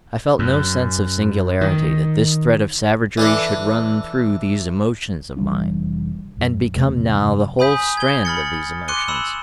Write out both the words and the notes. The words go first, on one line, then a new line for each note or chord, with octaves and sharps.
I felt no sense of singularity that this thread of savagery should run through these emotions of mine and become now the whole strand of these emotions.
F#2
D#3
E3 D4 A4
F1 E3 G3 D4
A#1 F#2
E2 C3 A3
F#2 C#3
G#5 B5 D#6 G6 B6
G#6 G7
B5 F6 A6 C#7
C6 D6 F#6 C#7 D#7 G7
B5 E6 E7